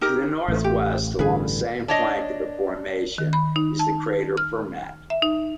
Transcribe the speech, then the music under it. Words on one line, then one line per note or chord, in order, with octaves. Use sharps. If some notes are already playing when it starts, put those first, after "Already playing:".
To the northwest along the same flank of the formation is the crater Fermat.
D#4 G4 A#4
A1 A3
G4
A1 G2 D3 G#4 B4
D4 C#5 D#5
D#3
B5
D#4
A5
F6
E5
D#4